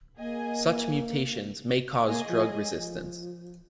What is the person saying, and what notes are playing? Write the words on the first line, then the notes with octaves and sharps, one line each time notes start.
Such mutations may cause drug resistance.
A#3 G#4 D#5 G#5
A#3 G#4 D#5 G#5
F3
G#3
F3